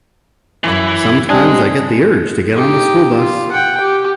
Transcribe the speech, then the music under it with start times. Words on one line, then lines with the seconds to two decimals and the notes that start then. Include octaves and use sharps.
Sometimes I get the urge to get on the school bus.
0.64 F#2 E3 E4
1.29 G3 C4 D4 D#5 G#5
2.52 D#4 G4
3.17 F4
3.51 F#5 G5
3.81 G4